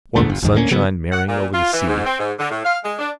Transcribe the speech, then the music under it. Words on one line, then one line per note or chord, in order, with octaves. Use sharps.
Warm sunshine merrying over the sea.
E2 G#2 D3 A3
F#1
F#1 E2 G#2 D#3
D2 A#3 B3 C#4
C#3 F#3 B3
F#5
A#2
F4
E3
G#2
C4
G#2
D3
A2
F5
G#3
D4